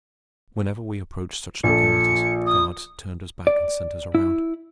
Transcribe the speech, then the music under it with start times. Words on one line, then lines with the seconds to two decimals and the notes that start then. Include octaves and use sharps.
Whenever we approached such localities, the guards turned us back and sent us around.
1.63 A#1 A4 C#7
2.46 D#6
3.47 D5
4.15 E4